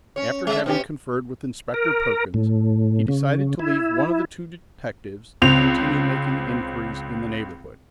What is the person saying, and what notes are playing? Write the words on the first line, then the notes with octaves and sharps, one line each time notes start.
After having conferred with Inspector Perkins, he decided to leave one of the two detectives to continue making inquiries in the neighbourhood.
C#4 C#5
G#3 E5
B2 C#4 G4
A#4
A2
C#3
E4
C#2 C4 F7